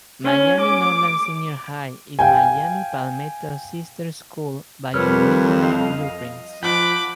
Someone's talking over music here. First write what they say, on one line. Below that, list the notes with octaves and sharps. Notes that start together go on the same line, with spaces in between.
Miami Norland Senior High is Miami Palmetto's sister school by original blueprints.
C#4
D6
F5 G5 G#5
F2 G3 A#4 B4 C#5 F6
D#5 F5
F3 F#5 G5 B5 D6